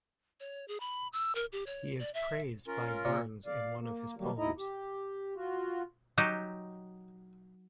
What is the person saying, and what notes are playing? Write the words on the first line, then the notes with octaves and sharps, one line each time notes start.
He is praised by Burns in one of his poems.
C#5
G#4
B5
E6
A#4
G4
C#5
D5
E5
C#4 F4 A#4
A#2
D5 F5
A#3
D#3 F#3 G3 A#3
D#2 B2 D#4 E4 D#5 A#5
G4
F4 F#4
F#3 D#4 G4